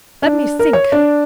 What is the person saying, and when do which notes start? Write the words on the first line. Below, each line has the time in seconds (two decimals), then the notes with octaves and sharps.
"Let me think."
0.22 D4
0.59 A#4
0.73 C#5
0.92 D4